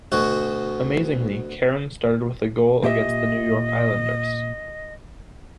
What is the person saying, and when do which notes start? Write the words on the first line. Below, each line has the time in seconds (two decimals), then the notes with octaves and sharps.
Amazingly, Cairns started with a goal against the New York Islanders.
0.12 D2 B2 F#4
2.83 A#2 G4 D#5 E5